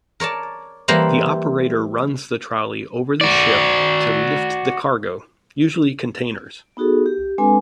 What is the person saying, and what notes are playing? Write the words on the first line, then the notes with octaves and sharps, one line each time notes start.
The operator runs the trolley over the ship to lift the cargo, usually containers.
A#4 C#5 D5 A5
E3 G3 A#3 E4 A#4 C5
F#4 D5
B3 D#4 F#4 G#4 A4
G4
G#3 C4 D4 A4 B4 G#5